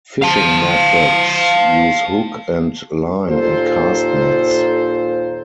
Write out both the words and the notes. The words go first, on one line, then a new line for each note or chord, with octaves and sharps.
Fishing methods use hook and line and cast nets.
F5 A5
D#2 A#2 F4 A4 C5